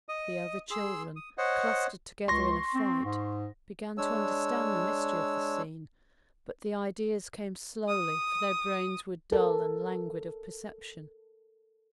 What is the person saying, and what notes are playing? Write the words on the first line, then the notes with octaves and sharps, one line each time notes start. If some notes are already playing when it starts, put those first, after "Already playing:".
The other children, clustered together in affright, began to understand the mystery of the scene; but the ideas came slowly, for their brains were dull and languid of perception.
D#5 D#6
G#4 C6 E6
D#6
C5 C#5 D#5 F#5
C#2 C6 C#6 A#6
C4
G#2
G#3 D4 C#5 E6
D#6
A4 A#4